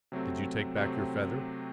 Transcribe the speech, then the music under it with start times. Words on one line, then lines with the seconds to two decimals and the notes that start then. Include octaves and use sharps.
Did you take back your feather?
0.12 C3 F#3 A3 C4
0.76 C3 F#3 A3 C4